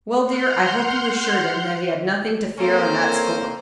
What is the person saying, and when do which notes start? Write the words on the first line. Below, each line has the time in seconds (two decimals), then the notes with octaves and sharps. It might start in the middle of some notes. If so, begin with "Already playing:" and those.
"Well, dear, I hope you assured him that he had nothing to fear on that score."
0.22 F#5 C6 F6 G6
2.58 A#3 C4 C#4 A4 A#4 C5